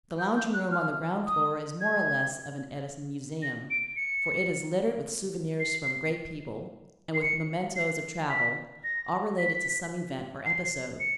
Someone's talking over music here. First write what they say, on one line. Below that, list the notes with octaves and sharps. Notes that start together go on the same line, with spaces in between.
The lounging-room on the ground floor is more or less of an Edison museum, for it is littered with souvenirs from great people, and with mementos of travel, all related to some event or episode.
G6
G6
F#6
F6
D#6
G#6
A#6
D7
C#7
C7
C7
C#7
C7
B6
A#6
B6
C7
C#7